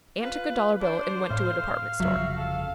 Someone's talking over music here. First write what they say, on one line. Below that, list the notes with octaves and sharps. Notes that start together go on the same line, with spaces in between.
Ann took a dollar bill and went to a department store.
F4 B4
D4 C5
A2 F5
G1 F2 C#3 F#3 F#4 E5
A4 F5